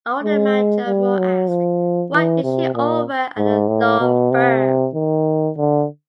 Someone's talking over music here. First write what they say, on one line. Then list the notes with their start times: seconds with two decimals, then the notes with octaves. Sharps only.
Alderman Joe Moore asked, Why is she over at the law firm?
0.23 G#3
0.86 G3
1.18 F#3
1.48 F3
2.12 E3
2.44 C3
2.75 A#2
3.38 G#2
3.68 A2
4.00 B2
4.32 C3
4.94 D#3
5.57 D3